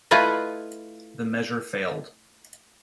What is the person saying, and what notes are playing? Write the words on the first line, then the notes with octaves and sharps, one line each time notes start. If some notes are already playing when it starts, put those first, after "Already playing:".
The measure failed.
A3 E4 F4 B4 D#5